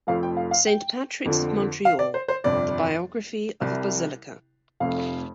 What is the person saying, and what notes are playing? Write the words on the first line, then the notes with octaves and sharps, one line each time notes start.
Saint Patrick's of Montreal: the biography of a basilica.
F1 F2 F3 A3 F5
G5
F5
F5
G5
F2 D3 F3
F5
D5
C5
C5
G1 F2 C3 D5
C2 C3 G3
F1 F2 C3 A3 F5